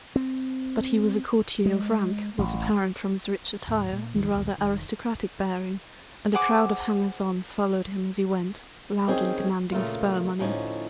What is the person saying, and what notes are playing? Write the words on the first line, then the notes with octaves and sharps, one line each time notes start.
That he was a courtier of rank, was apparent from his rich attire and rather aristocratic bearing and a crowd of hangers-on followed him as he went, loudly demanding spur-money.
C4
G#3
A1
D#2 A2
A#2
A1 E2 D#3 F3
A#1 D#2 B2
F1 D#3
G#4 C5 F#5 D6
D#3 C4 C#4 G#4
A#2 C#3 A3 A#3 F4
D2 A2 F3 C#4 D#4